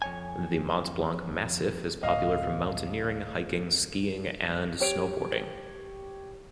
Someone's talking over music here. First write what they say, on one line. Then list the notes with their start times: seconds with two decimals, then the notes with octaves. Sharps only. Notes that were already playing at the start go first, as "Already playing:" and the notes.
The Mont Blanc massif is popular for mountaineering, hiking, skiing, and snowboarding.
0.02 F2 C#5 G#5
2.03 D2 A2 D#5 F5
4.80 G4 C#5 D7 F7